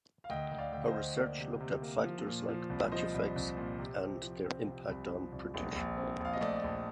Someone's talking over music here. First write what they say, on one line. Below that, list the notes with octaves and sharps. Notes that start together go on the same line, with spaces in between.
Her research looked at factors like batch effects and their impact on prediction.
F5
D2 D#5 G5
D2
D5 F5
D2 G5
F5
C5 D#5
D2
A#3 D5
C3
C3
A#3
F3
A#2
F3
C2
F3 C5 D#5
C2
C2
A#2
C3
C4
F3
C4
C3
C2
F3
C2
A#1
A#1
C4
A#1 F5
D#5
A3 D5
A#1